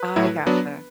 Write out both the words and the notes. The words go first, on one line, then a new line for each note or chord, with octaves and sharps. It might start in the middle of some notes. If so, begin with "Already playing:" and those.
I gotcha.
Already playing: B4
A2 F#3 A3 E4
F#3 B3 D4